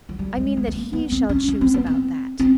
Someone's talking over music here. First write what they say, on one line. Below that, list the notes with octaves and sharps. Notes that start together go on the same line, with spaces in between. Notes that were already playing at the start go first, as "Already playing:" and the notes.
"I mean that he shall choose about that."
F#3
G3
G#3
A3
B3
A#3
B3
C4
C#4
C#4
C4
B3
C4
C4